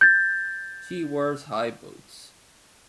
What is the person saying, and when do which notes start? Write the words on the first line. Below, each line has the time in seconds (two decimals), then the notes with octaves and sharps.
She wears high boots.
0.01 G6 A6